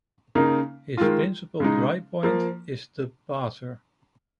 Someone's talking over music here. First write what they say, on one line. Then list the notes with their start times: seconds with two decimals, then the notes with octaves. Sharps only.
His principal dry-point is The Bather.
0.35 C#3 A#3 D#4
0.97 D#3 G#3 F4
1.60 C#3 G#3 D#4
2.23 F3 A#3